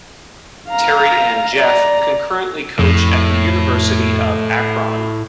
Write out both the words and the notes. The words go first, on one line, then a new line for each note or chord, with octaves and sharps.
Terry and Jeff currently coach at the University of Akron.
F5 A#5
D5 A#5
F2 A2